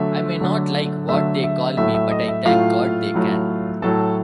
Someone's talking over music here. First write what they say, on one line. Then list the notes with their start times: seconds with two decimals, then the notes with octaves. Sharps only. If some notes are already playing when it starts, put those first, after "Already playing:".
I may not like what they call me, but I thank God they can.
Already playing: D3 F#3 A3 E5
0.40 D3 F#3 A3
1.09 D3 F#3 A3 E5
1.44 E5
1.77 A2 F#3 A3 E5
1.94 E5
2.11 D#5
2.28 E5
2.45 A2 F#3 A3 F4 F5
3.14 A2 F#3 A3
3.82 A2 F#3 A3 A4 A5